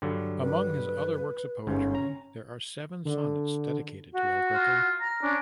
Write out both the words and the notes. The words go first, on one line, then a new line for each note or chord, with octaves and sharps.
Among his other works of poetry there are seven sonnets dedicated to El Greco.
G2 D3 F#3
B4
G1 G#2 C#4
A#5
D3
F#4
F4
A#5 F6
C#4 D4